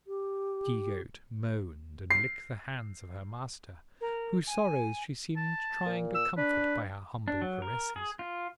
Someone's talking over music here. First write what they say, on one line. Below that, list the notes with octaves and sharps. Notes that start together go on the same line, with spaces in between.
The she-goat moaned and licked the hands of her master, whose sorrows she seemed trying to comfort by her humble caresses.
G4
C7
A#4
G#5
A5
A#2
E6
D4 B4
D4
F#3
A#4
G#4
F4